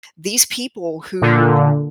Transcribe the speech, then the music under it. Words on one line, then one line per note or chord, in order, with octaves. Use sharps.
these people who
A#2 D3